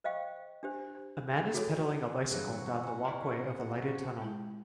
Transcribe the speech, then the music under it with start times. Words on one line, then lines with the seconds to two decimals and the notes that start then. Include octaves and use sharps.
A man is pedaling a bicycle down the walkway of a lighted tunnel.
0.04 C5 D#5 F5 G5 C#6
0.63 D4 G4 C5
1.54 F#4 G#4 A4 C#5
2.31 G2 E3 F#3 A#3 B3 E4 G#4 A#6
2.50 C3 F#4 F#5
2.84 G#5
3.05 E4 D5 D#5 F5
3.82 C4 G4
4.22 G#3 E4 G5